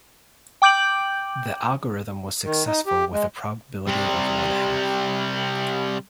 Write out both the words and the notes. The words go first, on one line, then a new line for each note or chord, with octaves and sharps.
The algorithm was successful with a probability of one half.
G5 D6 G6 D7 F#7
D#3
D#4
G4
G#3
C3 G3